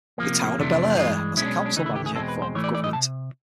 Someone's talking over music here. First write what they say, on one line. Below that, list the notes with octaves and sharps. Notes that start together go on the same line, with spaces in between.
The Town of Belleair has a Council-Manager form of government.
C3 F3 A#3
F2 C3 E3 A3 D4
G2 E3 G#3 F4
B1 B2 G#3 C#4 E4
D4
D4
D2 C#3 E3 A3 D#4
E4
G4
G#4
E2 B2 G#3 C4 A4
B4
C5
A2 E3 A3 C#5
D5
D5
D#5
C3 A5